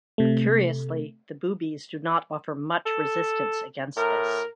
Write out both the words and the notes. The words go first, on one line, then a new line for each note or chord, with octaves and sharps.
Curiously, the boobies do not offer much resistance against this.
C3 A3
A4
A2 A#4